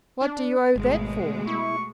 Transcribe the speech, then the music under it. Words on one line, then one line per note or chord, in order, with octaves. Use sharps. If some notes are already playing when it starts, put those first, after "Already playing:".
"What do you owe that for?"
D4
G#1 B2 G#3 A3
E4 C#6